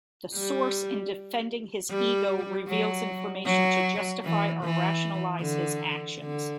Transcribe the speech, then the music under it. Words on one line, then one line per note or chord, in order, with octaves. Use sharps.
The source, in defending his ego, reveals information to justify or rationalize his actions.
G3
G3
F#3
F#3
E3
E3
D3
D3